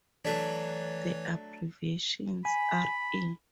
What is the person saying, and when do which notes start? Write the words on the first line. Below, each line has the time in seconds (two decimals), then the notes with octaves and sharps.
The abbreviations r.e.
0.25 E3 F#3 A3 D4 C#5
2.45 G#5 B5